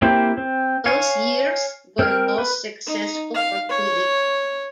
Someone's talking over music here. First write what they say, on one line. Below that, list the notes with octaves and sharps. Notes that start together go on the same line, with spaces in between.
Those years were most successful for Kulig.
A#3 C4 E4 G4 C5
C4
C#5 F5 G#5
C4 A#4 F6
B4
D#4
F5
C#5